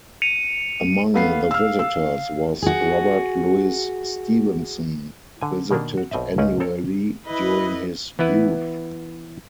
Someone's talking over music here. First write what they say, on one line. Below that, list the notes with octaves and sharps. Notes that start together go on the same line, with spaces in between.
Among the visitors was Robert Louis Stevenson who visited annually during his youth.
C#7 D#7 F7
A3 B3 F5 C7
E6 F6
E6
F#4 G#4
D3 G#5
B2 D#3 A#3 D4
F#4
B1 B2 C4 D#5 E5
C#2 C#4 D#4 A#4 B4
C4 A4 A#4 C#5
E4 B4 D#5
E3 B3 E4 B4